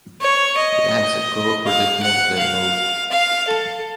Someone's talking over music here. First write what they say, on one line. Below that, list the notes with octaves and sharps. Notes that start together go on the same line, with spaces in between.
It adds a cooperative multiplayer mode.
C#5
D#5
F5
F#5
F5
F5
A4